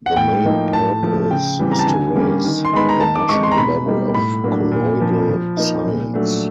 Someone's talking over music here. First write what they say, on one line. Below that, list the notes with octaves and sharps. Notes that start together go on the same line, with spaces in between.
The main purpose is to raise the national level of colloidal science.
F#5
A2 G5
F3 A#3 D#4
A2 A5
F3 A3
C#3 G5
E3 G3 C4
A#5
A5
D3 G#5
G3 A#3 C#4
D#3
C6
G#3 B3 D#4 B5
A#5
D#3 A5
D6
G#3 C4 D#4 C#6
C6
A#5
B2 B5
G3 A#3 D#4
A2 B5
F#3 A#3 D4
A#2
F3 A#3
F3
A#3 D#4
A#2
F#3 A3 D4